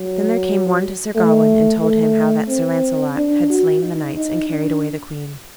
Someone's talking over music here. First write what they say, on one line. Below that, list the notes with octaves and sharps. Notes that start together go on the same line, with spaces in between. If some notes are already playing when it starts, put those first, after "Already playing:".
Then there came one to Sir Gawain and told him how that Sir Launcelot had slain the knights and carried away the queen.
Already playing: F#3
A3
A3
C4
D4
F#4
D#4
D#4
D4